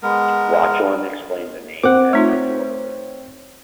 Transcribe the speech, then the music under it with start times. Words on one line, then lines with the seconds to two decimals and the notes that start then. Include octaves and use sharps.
Rochlen explained the name as I thought of it.
0.03 G#3 B3 A#4
1.83 C4 F#5 D6
2.13 A3 D#4 F4 C#5